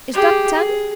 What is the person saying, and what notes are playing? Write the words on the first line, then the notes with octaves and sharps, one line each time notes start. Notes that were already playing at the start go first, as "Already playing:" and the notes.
"Is that ten?"
G4 G#4
G#4